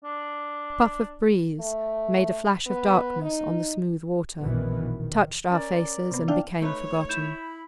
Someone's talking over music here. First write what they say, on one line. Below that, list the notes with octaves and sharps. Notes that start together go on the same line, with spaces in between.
A puff of breeze made a flash of darkness on the smooth water, touched our faces, and became forgotten.
D4
A3
B3
D#4
A#1 F#2 B2 D#3 E3 B3
D#3
C#4 A#4 D5
C3 B3
D4 E4 F5 G5
A3 D#4 B4 C#5
E4 B5 G6 E7